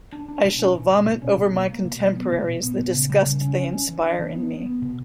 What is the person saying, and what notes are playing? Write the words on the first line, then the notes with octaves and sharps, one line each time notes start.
I shall vomit over my contemporaries the disgust they inspire in me...
D4
D4
B2
C#4
A#2
A#2
B2
C#4
B2
A#3
A#3
B2
F#3
B3
B2
A#2
B3
A#2
C#3
G3
C#3
C#4
C#4
C#4
E3
D4
E3
B3
B3
B3
B2